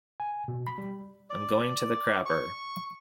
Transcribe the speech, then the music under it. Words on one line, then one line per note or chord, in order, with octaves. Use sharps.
"I'm going to the crapper".
G#5
B2
B5
G3
D5
C#6